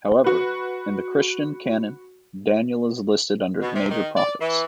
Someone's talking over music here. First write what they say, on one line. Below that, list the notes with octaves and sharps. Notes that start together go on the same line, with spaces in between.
However, in the Christian canon Daniel is listed under the Major Prophets.
F#4 B4
B2
C3
D#3
D5
E3